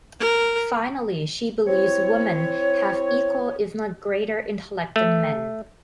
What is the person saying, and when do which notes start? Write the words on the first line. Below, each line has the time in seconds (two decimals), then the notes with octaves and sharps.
Finally she believes women have equal if not greater intellect than men.
0.20 A#4
1.67 C4 E4 C#5
4.96 A3